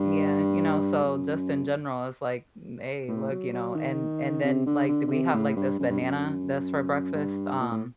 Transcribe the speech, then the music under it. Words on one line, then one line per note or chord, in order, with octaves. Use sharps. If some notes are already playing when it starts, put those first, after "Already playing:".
Yeah, you know, so just in general, it's like, n hey, look, you know, and and then, like, th we have like this banana that's for breakfast, um,
Already playing: G2
F#2
A2
F#3
F#3
D#3
C3
D3
D3
D3
C3
A2
G2
F#2
G2
F#2
G2
A#2
A2